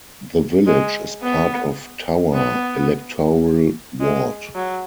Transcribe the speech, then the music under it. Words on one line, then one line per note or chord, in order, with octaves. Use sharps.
The village is part of 'Tower' electoral ward.
G#3
B3
B3
G#3
F#3